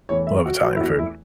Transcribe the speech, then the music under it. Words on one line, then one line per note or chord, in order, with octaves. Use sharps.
I love Italian food.
E2 E3 A3 C#5
E5
F#4
F#4
E4
E2 E3 A3 F#4
E4